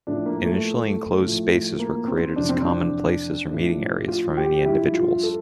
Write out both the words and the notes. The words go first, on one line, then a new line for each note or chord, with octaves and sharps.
Initially enclosed spaces were created as common places or meeting areas for many individuals.
A2 F3 D4
A#3
A3
A2 F3
A#3
C4
F2 C3 E3 D4
C4
D4
A2 F3
F4
G4
G2 F3 E4
F4
A4